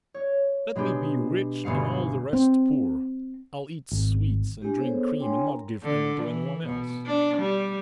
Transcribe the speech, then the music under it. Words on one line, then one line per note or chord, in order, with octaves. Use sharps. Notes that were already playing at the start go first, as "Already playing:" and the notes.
Let me be rich and all the rest poor, I'll eat sweets and drink cream and not give any to any one else.
C#5
B2 G#3 B3 D4 G4
G1 B2 G#3 A3 F5 C#7
C4
G#1
G#3 D4 E4 G4
B3 G#4 A4 C5 C#5
D4 E4 C#5 G5 G#5 C6
A#4 A#5
D3
E3
B2
D4
G3